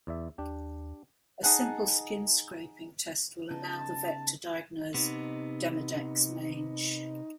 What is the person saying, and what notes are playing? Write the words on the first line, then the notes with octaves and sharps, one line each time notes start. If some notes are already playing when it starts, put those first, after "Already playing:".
A simple skin scraping test will allow the vet to diagnose demodex mange.
E2 D5 E5
D#2 D4 G4
D#4 G#4 F#5 A5
C#3 B3 D#4 A5
C3 B3 D#4